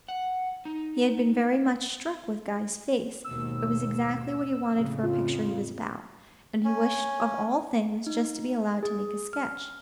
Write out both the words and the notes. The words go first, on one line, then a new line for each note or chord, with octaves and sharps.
He had been very much struck with Guy's face: it was exactly what he wanted for a picture he was about, and he wished of all things just to be allowed to make a sketch.'
F#5
D#4
D#2 G#2 B2 E6
F2 A2 C#3
F4
C#4
D#4
G#4
F6